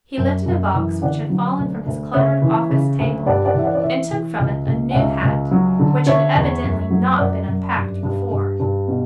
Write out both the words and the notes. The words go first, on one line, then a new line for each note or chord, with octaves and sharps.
He lifted a box which had fallen from his cluttered office table, and took from it a new hat which had evidently not been unpacked before.
F#2
F#2
E3
D3 D5 F#5
F#3
D2
D2
C#3 C#5 E5
E3
C#3
D2
G2 D5 F#5
D5 F#5
E3 E5
D5 F#5
D5
E3 C#5 E5
E3
C#2
C#2
F#5
C#2 C#5 E5
C#2
F#3
D3
D3 C#5 E5
E2
F#2
F#3
F#2 D5 F#5
F#2
G2
G2
G2
G2
B2